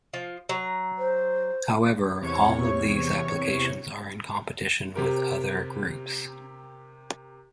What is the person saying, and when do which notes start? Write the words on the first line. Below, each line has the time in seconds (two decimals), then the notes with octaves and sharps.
However, all of these applications are in competition with other groups.
0.14 F3 F4
0.49 F#3 A#5
0.98 C5
2.21 E2 C3 C#5 C#6
4.95 C3 G4 A#4